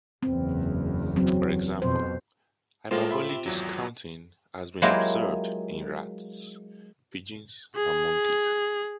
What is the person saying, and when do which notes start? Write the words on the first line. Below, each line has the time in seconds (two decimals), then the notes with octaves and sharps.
For example, hyperbolic discounting has been observed in rats, pigeons, and monkeys.
0.23 F#1 E2 C4
1.16 F#3 C4
1.82 F2 B2 C5
2.91 A2 F3 G#3 A#3 F4 A#4 C5
3.11 E5 B5 C6
3.30 C3
3.46 G#1 E2 F#3
4.82 F#3 G#3 A#3 E4 F4 G4
7.76 G#4